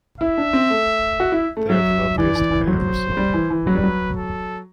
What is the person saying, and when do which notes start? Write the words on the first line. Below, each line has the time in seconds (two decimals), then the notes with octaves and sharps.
They are the loveliest I ever saw.
0.21 E4 E5
0.38 D4
0.53 C4
0.70 A3
1.20 F#4
1.32 E4
1.57 A3
1.69 F#3 E5
2.18 E3 D5
2.35 E3
2.51 E3
2.67 F#3 C5
3.17 G3
3.34 E3
3.50 E3
3.67 F#3 B4
3.75 G3
3.84 F#3
4.17 A4